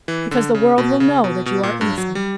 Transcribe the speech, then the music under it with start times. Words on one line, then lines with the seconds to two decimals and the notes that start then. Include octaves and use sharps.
"Because the world will know that you are innocent."
0.08 E3
0.31 D3
0.55 C#3
0.78 B2
1.00 C#3
1.24 B2
1.46 B2
1.63 A#2
1.81 G2
1.98 F#3
2.15 G3